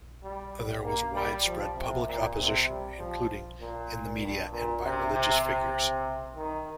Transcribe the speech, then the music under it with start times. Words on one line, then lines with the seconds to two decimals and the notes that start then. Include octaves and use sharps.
There was widespread public opposition including in the media and by religious figures.
0.23 G3
0.84 A#3
1.14 G3
1.46 F3
1.76 C3
2.06 A#2
2.37 C3
2.68 G3
2.99 F3
3.60 A#2
4.21 G2
4.52 A#2
4.83 C3
5.13 C3
5.44 C3
6.36 D#3